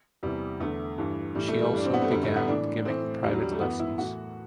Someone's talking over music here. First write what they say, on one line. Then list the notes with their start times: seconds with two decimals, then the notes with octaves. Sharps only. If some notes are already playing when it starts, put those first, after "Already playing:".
She also began giving private lessons.
0.23 E2 C3 E3 G3
0.60 E2 D3 A3
0.98 G2 E3
1.35 A2 E3 G3
1.48 A3
1.61 G3
1.73 G2 E3 D4
1.85 C4
1.93 B3
2.02 A3
2.11 F#2 D3 G3
2.23 A3
2.36 B3
2.48 A2 E3 D4
2.85 A2 E3 C4
3.23 E2 D3 G3
3.33 F#3
3.42 G3
3.52 A3
3.61 F#2 E3 B3
3.80 E4
3.98 A2 E3 F#4